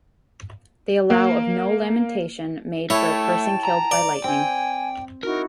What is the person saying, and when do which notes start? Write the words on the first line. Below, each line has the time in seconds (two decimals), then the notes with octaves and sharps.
They allow of no lamentation made for a person killed by lightning.
1.10 A#3
2.90 A3 E4 C#5 G5 A5
3.65 A#5
3.91 D5
4.24 C4 G5 G#5
5.23 D#4 E4 F#4 A#4